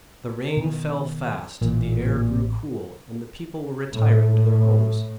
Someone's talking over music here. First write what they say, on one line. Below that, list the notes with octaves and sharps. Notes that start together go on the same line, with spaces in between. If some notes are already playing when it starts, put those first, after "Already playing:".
The rain fell fast; the air grew cool; and the people were retiring to their homes.
B2 D#3
A1 A#2 E3
A2